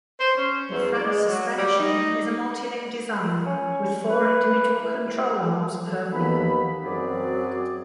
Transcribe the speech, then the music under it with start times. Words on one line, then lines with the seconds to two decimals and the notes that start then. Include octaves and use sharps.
The front suspension is a multi-link design with four individual control arms per wheel.
0.19 C5
0.35 C#4
0.70 E2
0.92 D5
1.04 G#3
1.27 F#3
1.58 G3
1.78 D#4
3.46 C#4
4.10 B4
4.83 E3
5.17 C3
5.83 A4
6.12 D#2 B3 B5
6.50 B4
6.84 F#2 F#3 C4 G#4 D5